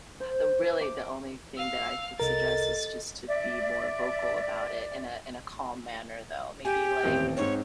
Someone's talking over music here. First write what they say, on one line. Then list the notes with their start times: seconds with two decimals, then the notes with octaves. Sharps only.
The, really, the only thing that I would suggest is just to be more vocal about it in a in a calm manner, though. Maybe, like,
0.20 C5
0.81 D6
1.57 F5 E6
2.20 C2 A4 A#4 D#5 A6
3.28 D5 E5
6.65 G4 G#5
7.03 D#1 A1 C4
7.37 G#2 C4 C#5